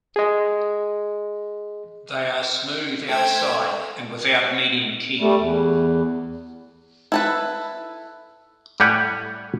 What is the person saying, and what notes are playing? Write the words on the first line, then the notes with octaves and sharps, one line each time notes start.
They are smooth outside and without median keel.
G#4 D#5
A3 C5 G5 G#6
G3 A3
E2
E4 A4 B4
A2 G3 G4 F#5 G#5